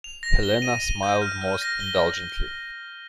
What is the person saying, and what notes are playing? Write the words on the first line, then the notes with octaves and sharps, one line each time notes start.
Helena smiled most indulgently.
F7
A#6
G7
D#7
D#7
G6
F6
F6
A#6
G7